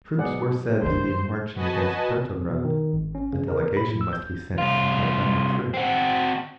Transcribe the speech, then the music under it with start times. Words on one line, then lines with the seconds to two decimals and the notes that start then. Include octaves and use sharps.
Troops were said to be marching against Petrograd--a delegation must be sent to tell them the truth.
0.19 G#2 B2 F#3 G#4 D5 F#5
0.83 F#2 D#3 G3 A#3 D4 C5
1.55 F#4 B4 D#5 G#5 A5
2.35 F2
2.50 B2
2.65 D#3
2.93 G#1
3.15 C#4
3.33 C#3
3.48 A#4
3.77 B5
3.89 A2
4.01 E6
4.13 G6
4.58 C2 F4
5.74 C4 F#4